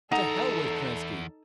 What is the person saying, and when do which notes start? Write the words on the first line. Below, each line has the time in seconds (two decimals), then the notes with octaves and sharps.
To hell with Kerensky!
0.12 E2 D#4 A4 F#5 A#5